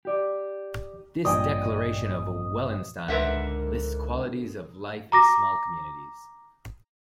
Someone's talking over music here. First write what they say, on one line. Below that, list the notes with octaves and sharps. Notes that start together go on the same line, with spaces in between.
This "Declaration of Wellenstein" lists qualities of life in small communities.
G4 D5
A1 G2 A#2 D5 D#5 G5 G#5
C#2 G#2 D3 A#4 B4 E5 F#5
A#5 D6 A#6